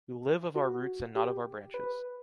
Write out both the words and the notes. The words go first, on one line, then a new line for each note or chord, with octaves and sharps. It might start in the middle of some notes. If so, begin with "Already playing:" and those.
We live of our roots and not of our branches.
F#4
G4
B4